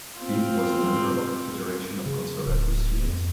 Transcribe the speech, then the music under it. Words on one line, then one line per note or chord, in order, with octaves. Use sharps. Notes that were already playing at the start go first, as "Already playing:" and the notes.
Gibb was a member of the Federation of Conservative Students.
C4 F4
C#3
D1
F2